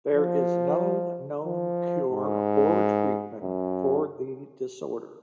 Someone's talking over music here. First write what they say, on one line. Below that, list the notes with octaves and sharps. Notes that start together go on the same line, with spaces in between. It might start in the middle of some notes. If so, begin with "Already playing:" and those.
There is no known cure or treatment for the disorder.
F3
F3
G#2
F#2